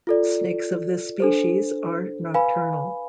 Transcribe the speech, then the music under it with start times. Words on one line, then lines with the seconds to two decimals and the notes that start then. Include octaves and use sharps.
Snakes of this species are nocturnal.
0.07 F4 A4 D5
1.20 D4 A4 C5
2.34 B4 F5 G#5 B5